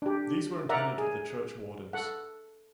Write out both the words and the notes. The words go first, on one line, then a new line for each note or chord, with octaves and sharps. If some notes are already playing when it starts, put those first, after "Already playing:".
These were intended for the churchwardens.
D4 G4
A#4 D5 E5 F#5 A#5
G#4
A4 F#5